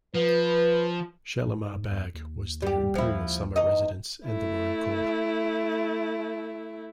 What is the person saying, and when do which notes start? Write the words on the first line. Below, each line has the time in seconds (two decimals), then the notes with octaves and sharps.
Shalimar Bagh was their imperial summer residence and the Royal Court.
0.15 F3 B4
1.46 G#2
1.90 E2
2.14 D#2
2.62 G3 G4
2.95 F3 E4
3.56 E2 D#4 D#5
4.26 A3 E4